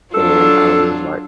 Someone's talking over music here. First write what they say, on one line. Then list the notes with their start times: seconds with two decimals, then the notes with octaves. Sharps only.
and, I was just like
0.14 F#3 D4 F4 A4